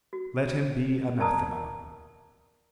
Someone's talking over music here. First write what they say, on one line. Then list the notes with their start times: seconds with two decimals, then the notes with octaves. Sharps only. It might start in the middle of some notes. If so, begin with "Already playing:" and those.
Let him be anathema....
0.13 F#4
1.19 A#4 D5 A5 A#5 D#6